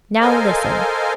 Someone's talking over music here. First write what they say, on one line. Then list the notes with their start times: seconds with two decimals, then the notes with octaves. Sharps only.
Now, listen.
0.21 A4 A#4 C5 D#5 F5 G#5